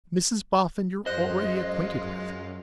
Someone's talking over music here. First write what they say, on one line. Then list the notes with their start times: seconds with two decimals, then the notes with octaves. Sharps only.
'Mrs Boffin you're already acquainted with.
1.06 F#2 G#3 F4 C5 D#5 F#6